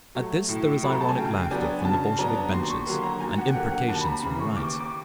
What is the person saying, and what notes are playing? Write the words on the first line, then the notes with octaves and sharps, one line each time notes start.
At this there was ironic laughter from the Bolshevik benches, and imprecations from the right.
F#3 A3
A2
F#3 A3 B5
A#5
A5
G#5
C#3 G5
G5
F#3 B3 D4 G#5
C#3 A5
F#3 B3 D4 A#5
D#2 C6
C#6
D3 F#3 A#3 C6
A#5
D#2 G#5
F#5
G5
D3 F#3 A#3 F#5
F#5
D#2 A5
B5
A#5
C#3 E3 B5
C#6
D#2 D6
D6